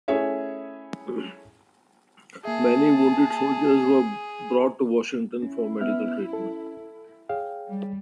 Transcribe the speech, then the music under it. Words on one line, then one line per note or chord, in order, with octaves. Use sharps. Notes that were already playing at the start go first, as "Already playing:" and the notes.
Many wounded soldiers were brought to Washington for medical treatment.
A3 C#4 E4 G#4 C#5 E5
A#3 G#4 E5 A5
C#4 E4
B3 E5 F6
A4
G#4 C#5 F5 G5
G3